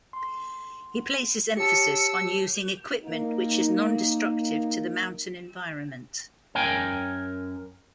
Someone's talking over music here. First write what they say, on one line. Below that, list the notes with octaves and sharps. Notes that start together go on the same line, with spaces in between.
He places emphasis on using equipment which is non-destructive to the mountain environment.
C6
G4 C#5 A5 E6 C#7
A#3 D#4
F#2 A#4 G5 G#5